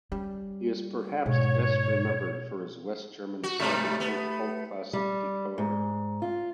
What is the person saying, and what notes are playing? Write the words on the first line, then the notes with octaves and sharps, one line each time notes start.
He is perhaps best remembered for his West German cyberpunk cult classic Decoder.
G3 C#4
G#2 B2 C#5
F#4
G#2 C3 G3 A3
B3
G3
G#2
F4